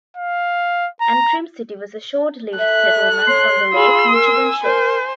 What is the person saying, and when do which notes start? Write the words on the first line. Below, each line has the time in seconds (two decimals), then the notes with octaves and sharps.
Antrim City was a short-lived settlement on the Lake Michigan shores.
0.17 F5
1.01 A#5
2.59 A4 E5 F#6
3.28 C#5 C6
3.74 F4 G#4 B5 E6
4.12 A#4 G#5
4.63 A#4 C5